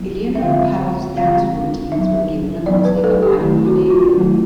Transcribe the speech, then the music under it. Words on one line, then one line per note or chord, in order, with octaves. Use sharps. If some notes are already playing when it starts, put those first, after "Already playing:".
Eleanor Powell's dance routines were given a mostly Hawaiian flavor.
Already playing: F#3 B3 E4
E5
D3 F3 G#3 C4 F4 F5
D3 F3 G#3 C4 F4 F5
F#3 B3 D#4 E5
F#3 B3 D#4 D5
B4
A4
G4
D#3 F#3 A3 C4 E4
F#4
F#4
F4
D#3 F#3 A3 C4 E4